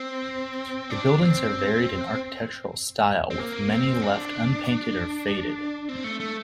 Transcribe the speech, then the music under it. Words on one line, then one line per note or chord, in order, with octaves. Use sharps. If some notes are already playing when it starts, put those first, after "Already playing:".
The buildings are varied in architectural style with many left unpainted or faded.
Already playing: C4
D4
C4
C4
A#3
C4
D4
C4
A3
A3